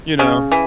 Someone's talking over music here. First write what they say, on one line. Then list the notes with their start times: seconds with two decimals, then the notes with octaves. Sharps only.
you know.
0.19 C#3
0.52 E3